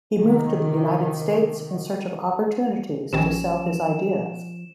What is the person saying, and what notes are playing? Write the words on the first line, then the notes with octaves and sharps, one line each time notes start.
He moved to the United States in search of opportunities to sell his ideas.
C3 D#3
A#1 D#3 F3 C#4 G4 G#5 E7